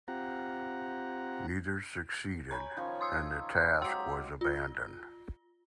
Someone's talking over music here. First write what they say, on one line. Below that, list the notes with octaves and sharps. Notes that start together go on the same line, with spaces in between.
Neither succeeded, and the task was abandoned.
C4 F4 G4 F#5 A#5
C#5 G#5 A#5 B5
D#3 F3 C#4
C6 D#6 E6
F#3 G#3 G4 G5 C6 E6
F4